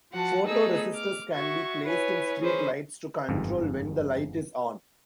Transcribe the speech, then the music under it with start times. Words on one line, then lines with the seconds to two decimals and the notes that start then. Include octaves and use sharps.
Photoresistors can be placed in streetlights to control when the light is on.
0.11 F3 F#4 F#5 A5
0.46 A3 B3 D#4 G#4 A4 E6
0.94 D6 F6
1.33 F#4 E5 C#6 G#6
1.83 E4 B4 C#5 G#5
2.40 E3 C#4 G#4 B4 C5
3.29 G1 F2 G#2